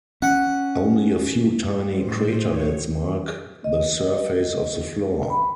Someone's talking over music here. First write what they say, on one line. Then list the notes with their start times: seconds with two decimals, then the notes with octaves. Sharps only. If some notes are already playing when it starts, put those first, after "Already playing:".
Only a few tiny craterlets mark the surface of the floor.
0.22 C#4 F#5
1.96 A2 C5
2.41 C#5
3.64 D#5
5.30 B5